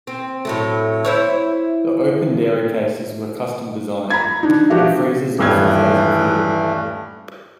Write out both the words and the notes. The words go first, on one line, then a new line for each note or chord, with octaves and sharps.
The open dairy cases were custom designed, and freezers offered frozen food.
C4
A2 F#3 A3
E4 C5 C#5
A#5 B5 G#6
D4 D#4
F3 D4 F#4 G4 E5
D#1 G2 E3 A3 G#6